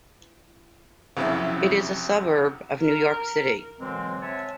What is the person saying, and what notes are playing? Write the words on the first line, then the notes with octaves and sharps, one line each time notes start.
It is a suburb of New York City.
B1 F2 C3 C#4 E4
A#4
B2 D3 E3 F#3 G#3 C4
C#5 E5 G#5 A5